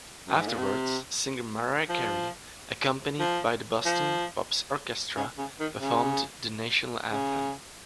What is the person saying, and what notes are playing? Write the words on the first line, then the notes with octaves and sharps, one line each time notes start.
Afterwards, singer Mariah Carey, accompanied by the Boston Pops Orchestra, performed the national anthem.
F#2
G#2
A#2
C3
F3
F3
F3
C#3
C#3
D#3
C#3
C#3